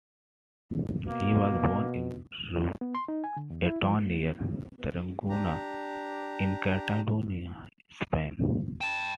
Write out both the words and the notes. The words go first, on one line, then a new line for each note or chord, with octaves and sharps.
He was born in Reus, a town near Tarragona, in Catalonia, Spain.
B2 A#3
B3
C6
D#4
G#5
D3
E2
E4
F3
D4 G4 A#5
G5 A5 E7